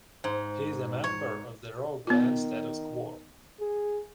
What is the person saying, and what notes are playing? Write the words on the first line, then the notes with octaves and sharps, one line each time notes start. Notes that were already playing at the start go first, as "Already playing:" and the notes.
He is a member of the rock band Status Quo.
G#2
C#5
D#3 B3 F4
G#4